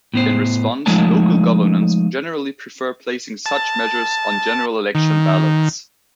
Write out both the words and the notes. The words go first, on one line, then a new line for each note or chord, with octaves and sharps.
In response, local governments generally prefer placing such measures on general-election ballots.
A2 B3 C5
F3 G#3 A3 D#4 C#5 A5
A5
D#3